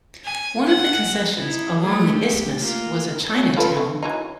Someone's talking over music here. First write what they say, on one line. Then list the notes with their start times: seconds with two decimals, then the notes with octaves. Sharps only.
One of the concessions along the isthmus was a "China Town".
0.24 G#5
0.66 F#5
1.36 D#4 E4
1.79 A3 G#4
2.15 G4
2.59 A#3 F4 A#4
3.35 F#3 C#4
3.56 F4 A4 B4
3.77 A3
4.03 E3 F#3 D#4